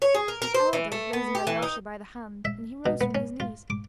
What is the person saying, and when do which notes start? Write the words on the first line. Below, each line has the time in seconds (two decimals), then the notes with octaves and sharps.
The elder raised Alyosha by the hand and he rose from his knees.
0.02 C#5
0.14 G#4
0.28 A#4
0.42 A#4
0.54 C5
0.73 E3
0.92 A3
1.13 B3
1.35 G4
1.47 E3
1.62 D#4
2.45 E5
2.86 B2
3.01 B3
3.15 C#4
3.40 F4
3.70 D6